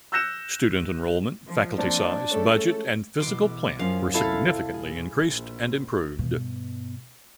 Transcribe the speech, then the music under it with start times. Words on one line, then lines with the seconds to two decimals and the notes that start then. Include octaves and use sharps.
Student enrollment, faculty size, budget, and physical plant were significantly increased and improved.
0.12 E6 F#6 G6 A#6 C#7 E7
1.46 F3
1.78 A#3 C4 D4
2.31 G#3 A3 C#4 A4
3.20 B2 E3 C6 D6
3.79 F#2 F3 C#4 F5
4.14 C2 F2 E4 A4 F5
4.74 B1 A#2 G#4
5.26 A#1
6.19 G2 B2